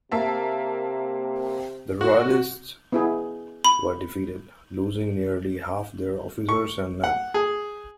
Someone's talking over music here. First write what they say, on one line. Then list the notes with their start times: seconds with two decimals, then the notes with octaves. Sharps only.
The Royalists were defeated, losing nearly half their officers and men.
0.12 C3 A#3 E5 A5
2.01 F#4
2.92 B3 E4 G#4
3.64 B5
6.49 C#6
7.04 F#5
7.34 G#4